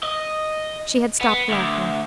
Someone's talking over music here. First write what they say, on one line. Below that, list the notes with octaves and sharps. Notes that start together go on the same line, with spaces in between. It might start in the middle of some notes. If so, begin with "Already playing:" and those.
She had stopped laughing.
D#5
B3
D2